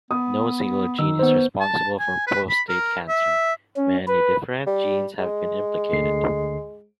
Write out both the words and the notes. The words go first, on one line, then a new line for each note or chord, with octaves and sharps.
No single gene is responsible for prostate cancer; many different genes have been implicated.
B3 D#6
D#3 E6
B3 C5
A5
G#5
B4
B5
A#4
E5
C#4
B4
G3
G#3
D2 D3 C7